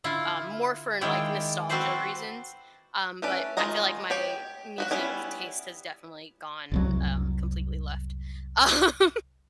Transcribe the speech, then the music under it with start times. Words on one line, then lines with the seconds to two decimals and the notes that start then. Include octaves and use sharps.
um, more for like nostalgia reasons. Um, but I feel like my music taste has definitely gone, um, completely left, um.
0.04 D3 E4 F4
1.01 D#3 G#3 E4 F4 D5 G5
1.69 C4 F#4 A4 B4 C5 D5
3.22 A3 C#4 B4 D5
3.57 D#3 G#3 F4 D#5 A#5
4.10 G4 C#5 G5
4.78 B3 F#4 F#5
4.91 G3 B3 C#4 E4
6.72 F1 C2 F#3